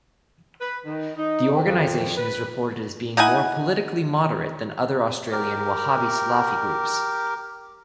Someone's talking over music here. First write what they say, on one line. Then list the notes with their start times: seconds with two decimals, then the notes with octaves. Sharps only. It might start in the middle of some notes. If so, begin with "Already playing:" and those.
The organisation is reported as being more politically moderate than other Australian Wahhabi-Salafi groups.
0.60 B4
0.85 D#3
1.16 D#4
1.62 F2
2.16 B4
3.17 D#4 E4 F#5 G#5
5.32 G4 A#4